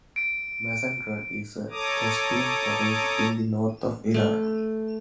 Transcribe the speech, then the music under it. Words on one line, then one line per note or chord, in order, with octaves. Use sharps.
Mazandaran is a Caspian province in the north of Iran.
D7
A4 C#5 A#5 D6 D#6
A3